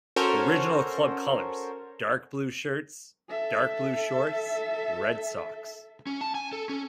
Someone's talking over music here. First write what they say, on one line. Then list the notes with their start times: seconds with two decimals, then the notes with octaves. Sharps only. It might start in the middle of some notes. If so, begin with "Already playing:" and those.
Original club colours: Dark blue shirts, dark blue shorts, red socks.
0.16 C#4 F#4 A4 A#4 C5 C#5
3.30 A4 E5
6.07 C#4
6.21 A5
6.35 G#5
6.53 A4
6.69 C#4